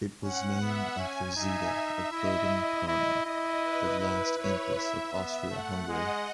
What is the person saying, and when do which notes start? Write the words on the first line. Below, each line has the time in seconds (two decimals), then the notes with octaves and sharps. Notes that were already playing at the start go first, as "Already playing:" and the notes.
It was named after Zita of Bourbon-Parma, the last empress of Austria-Hungary.
0.23 C#4 F#5
0.61 B3 E5
0.98 C#4 G#5
1.36 D#4 E5
2.11 E4 D#5
2.87 E4 D#5
3.25 E4
3.63 B4
3.99 E4
4.38 E4 C#5
4.75 E4 E5
5.12 B3 E5
5.50 A3 F#5
5.88 G#3 D#5